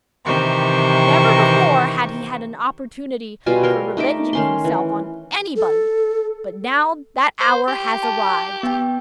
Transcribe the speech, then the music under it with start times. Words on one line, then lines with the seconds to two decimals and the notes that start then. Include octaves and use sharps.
Never before had he had an opportunity for revenging himself on anybody, but now that hour had arrived.
0.25 C3 D#3 E3 G4 C5 C#6
3.46 B2 G3 F4 G#5
3.63 A#4 C#5 C6
3.97 A3 D#4 E5 D6
4.33 D#3 C#4 C6
4.64 E3
5.56 A4
7.40 C5
7.68 G4 C6
8.03 A5
8.63 B3 G5